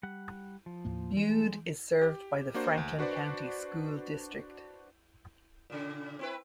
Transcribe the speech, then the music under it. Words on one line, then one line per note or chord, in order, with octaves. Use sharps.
Bude is served by the Franklin County School District.
G3 F#5
F3
D#2 A2 A#3
E3 G#3
G4
A#3 D4 F#4 C5
D2
D4 F#4 B4 C5 D5
A#2 C#3
C4 E4 B4